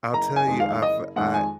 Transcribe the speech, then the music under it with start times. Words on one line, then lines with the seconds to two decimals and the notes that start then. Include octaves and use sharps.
I'll tell you, I've I
0.13 F#1 A#5
0.36 G#5
0.47 F2 D#3 G#3
0.60 F5
0.82 F#1 D#5
1.16 F2 D#3 G#3 F#5
1.34 G#5